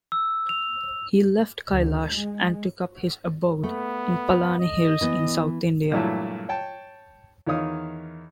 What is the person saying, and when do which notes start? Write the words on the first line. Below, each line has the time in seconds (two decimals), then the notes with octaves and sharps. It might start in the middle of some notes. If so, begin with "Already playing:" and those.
He left Kailash and took up his abode in Palani hills in South India.
0.12 E6
0.49 F7
1.68 D2
2.11 G#3
3.63 A3 B3
4.59 D#5
5.01 E3 B3
5.91 G2 A#2 E3 F#3 A3 E4
6.49 C#5 G5 A5
7.47 E2 D#3 D#4 C#5 F5 D#6